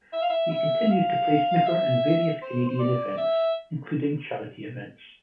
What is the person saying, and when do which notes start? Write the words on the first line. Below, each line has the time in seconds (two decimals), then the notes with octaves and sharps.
He continues to play snooker in various Canadian events, including charity events.
0.13 E5
0.22 F5
0.30 E5
0.51 E5
0.90 F5
1.56 F5
1.66 E5
2.42 C5
2.69 C5
2.79 D5
3.17 E5